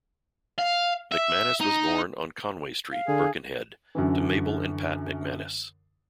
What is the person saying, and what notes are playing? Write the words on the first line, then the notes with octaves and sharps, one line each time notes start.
MacManus was born on Conway Street, Birkenhead, to Mabel and Pat McManus.
F5
E5
D#4
F5
D3 G#4
F#2 D3 E3